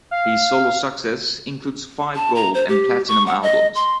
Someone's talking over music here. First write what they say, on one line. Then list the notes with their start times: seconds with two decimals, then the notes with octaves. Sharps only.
His solo success includes five gold and platinum albums.
0.11 F5
2.15 A5
2.35 A#5
2.54 C5
2.68 G4
3.08 C#6
3.26 F#5
3.42 D#5
3.75 C6